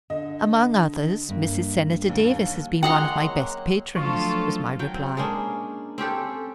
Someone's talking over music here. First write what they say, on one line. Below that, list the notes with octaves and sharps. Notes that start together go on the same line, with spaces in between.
"Among others, Mrs. Senator Davis has been one of my best patrons," was my reply.
D3 D#5
G2 A#3
D#2
G#3 A#3 F#5 G5 A#5 C6 D#6
F#3
D3 F3 F#3 A3 F4 A4 C#6
F#3 G5
C4
G#3 A#3 C#4 D4
C4 C#4 G4 A4